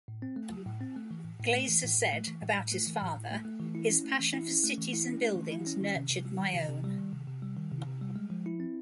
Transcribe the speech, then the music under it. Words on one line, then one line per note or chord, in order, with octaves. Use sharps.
Glaeser said, about his father, "His passion for cities and buildings nurtured my own".
A2
C4
A3
F#3
A2
C4
A3
E3
A2
A2
A3
E3
A2
A2
A3
E3
A2
A2
A3
E3
A2
A2
A3
A3
E3
E4
C#4
A3
E3
E4
C#4
A3
E3
E4
C#4
A3
E3
E4
C#4
D#3
C3
C3
G3
D#3
C3
C3
G3
D#3
C3
C3
G3
D#3
C3
C3
G3
G#3
F3
E4
C4